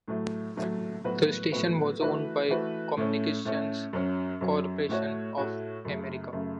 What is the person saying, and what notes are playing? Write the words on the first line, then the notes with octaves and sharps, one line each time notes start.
The station was owned by Communications Corporation of America.
A2 F#3 A3
A2 F#3 A3
A2 F#3 B3 F#4 B4
A2 F#3 B3 F#4 B4
E3 A3 F#4 B4
E3 A3 F#4 B4
A2 A3 C#4
A2 A3 C#4
F#2 F#3 C#4
F#2 F#3 C#4
A2 A3 F#4 C#5
A2 A3 F#4 C#5
F#2 C#3 A3
F#2 C#3 A3